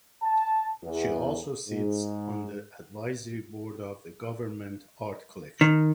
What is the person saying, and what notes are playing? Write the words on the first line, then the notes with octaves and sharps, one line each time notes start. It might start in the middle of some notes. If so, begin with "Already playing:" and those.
She also sits on the advisory board of the Government Art Collection.
A5
E2
G#2
D#3